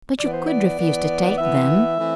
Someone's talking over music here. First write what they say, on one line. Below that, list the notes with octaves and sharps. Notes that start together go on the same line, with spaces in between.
"But you could refuse to take them."
E3 B3 D5
C5
D5
E3 B3
E3 B3 E5
E3 A3 C4